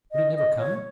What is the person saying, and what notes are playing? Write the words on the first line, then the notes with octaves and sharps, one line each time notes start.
Would it never come!
D#5
D#5
C#5